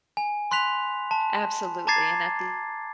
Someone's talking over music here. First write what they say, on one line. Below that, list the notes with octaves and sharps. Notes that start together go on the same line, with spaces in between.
Absolutely, and at the
G#5
B5 C6 F#6 B6 F7
A5
A5 A#5 D6 G#6 A6 C7